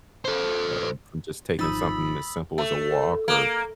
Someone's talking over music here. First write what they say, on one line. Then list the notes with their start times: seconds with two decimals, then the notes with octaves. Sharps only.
um, from just taking something as simple as a walk or
0.25 A4 C5
1.59 G#1 F3 D#4 B5 D#6 E6 A6
2.58 A3
3.28 A#3